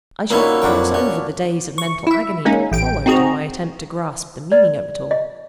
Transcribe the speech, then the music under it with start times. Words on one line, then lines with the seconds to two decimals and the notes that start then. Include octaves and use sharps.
I shall pass over the days of mental agony that followed in my attempt to grasp the meaning of it all.
0.30 A#2 A#3 C#4 D#4 E4 F#4
0.62 F2 F#3 D4 F#4 A#4 G5
0.94 C#4
1.78 C#6
2.07 E4 E5
2.45 G#3 A#3 C#4 D#4
2.72 A1 G5 D7
3.06 C4 D#4 F#4 G#4 A#5
4.52 D5
5.11 D#5